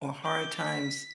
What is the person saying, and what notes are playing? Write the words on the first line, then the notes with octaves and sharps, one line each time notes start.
or hard times
D6 G6
B6